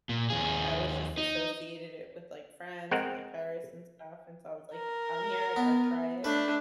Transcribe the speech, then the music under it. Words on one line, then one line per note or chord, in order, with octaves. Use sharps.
I always just associated it with, like, France, and, like, Paris, and stuff, and so, I was like, "I'm here, I gotta try it."
A#2
D#2 G#4
D#4
G#3 C4 A#4 F#5
A#4
B3
A3 D4 B4